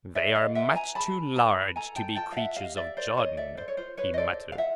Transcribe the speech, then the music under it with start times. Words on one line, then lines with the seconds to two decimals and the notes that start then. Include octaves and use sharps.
"They are much too large to be creatures of Jon," he muttered.
0.15 G#4 D5 E5
0.35 D#5 F5
0.55 B4 E5 F#5
0.76 G#5 A#5
0.95 G#4 A5 B5
1.35 B4 A5 B5
1.76 A4 G#5 A#5
1.96 G5 A5
2.16 F4 G5 A5
2.32 F5
2.37 E5 F#5
2.56 G4 D#5 F5
2.77 D5 E5
2.97 A#4 C5 D5
3.17 C#5 D#5
3.37 A4 D5 E5
3.57 C5 D5
3.68 C#5
3.77 F4 C5
3.97 B4 C#5
4.14 D#5
4.18 A4 C5 D5
4.52 F5
4.58 F4 E5 F#5